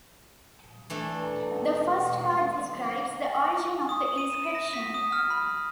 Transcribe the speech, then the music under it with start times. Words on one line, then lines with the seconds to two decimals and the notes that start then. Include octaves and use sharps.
The first part describes the origin of the inscription.
0.90 E3 A3 D4
3.89 D#6
4.18 D#7
4.30 E7
4.55 A#6
4.73 B6
4.94 D#6
5.12 F6
5.30 B5